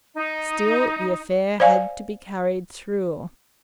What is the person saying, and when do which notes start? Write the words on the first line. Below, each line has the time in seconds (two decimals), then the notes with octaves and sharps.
Still, the affair had to be carried through.
0.16 D#4
1.60 C5 D5 F5 G#5